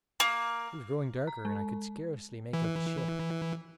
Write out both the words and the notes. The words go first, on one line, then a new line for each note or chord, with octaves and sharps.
It was growing darker, and I could scarcely make out the ship.
A#3
A#5
G#3
E3